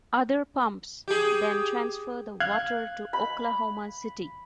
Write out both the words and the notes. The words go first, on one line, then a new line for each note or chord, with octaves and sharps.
Other pumps then transfer the water to Oklahoma City.
G4 G#4
F5 F#6 G#6
B5